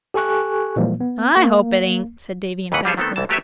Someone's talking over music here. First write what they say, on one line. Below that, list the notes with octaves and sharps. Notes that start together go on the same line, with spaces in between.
"I hope it ain't," said Davy emphatically.
G4 A4 G#5 C#6 F#6
A#2 E3 F3 G3 G#3 A#3
B3
A#3
D#2 G#2 C#3 E3 B4 F#5
G3 B3 F4 G#4 C5 C#5
D#3 A3 B3 C4 A4
C2 E3 A5
F#3 A3 G4 B4 C#5 E5